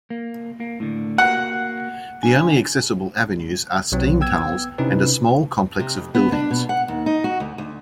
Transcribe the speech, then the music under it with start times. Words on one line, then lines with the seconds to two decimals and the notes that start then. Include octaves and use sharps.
The only accessible avenues are steam tunnels and a small complex of buildings.
0.10 A#3
0.60 A#3
0.80 A2 D3
1.18 A#3 F#4 F#5
2.23 D4 G#5
3.92 B1 F#3 C4
4.20 B3 G5 E6 G#6
4.78 C3 C4 C#4 D#4 E4 B4
5.80 C3
5.96 F2
6.15 B3
6.32 D4
6.51 B2
6.69 F#5
6.88 D#2
7.06 D#4
7.24 F#4
7.40 D2
7.58 D2